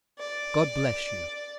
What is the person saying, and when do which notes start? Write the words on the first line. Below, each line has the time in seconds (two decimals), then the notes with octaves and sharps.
God bless you!
0.19 D5